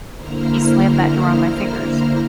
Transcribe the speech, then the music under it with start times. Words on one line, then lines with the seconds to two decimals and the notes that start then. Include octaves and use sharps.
he slammed that door on my fingers,
0.13 D3 A#3 E4 C5 A#5 F6